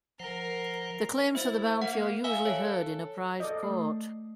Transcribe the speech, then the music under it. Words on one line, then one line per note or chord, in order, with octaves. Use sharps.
The claims for the bounty are usually heard in a Prize Court.
F3 A#4 C5 F#5
E4 C5 E5
A#3 F#5
E5 F5 G#5
A4 C#5
A4 D5 D#5
A3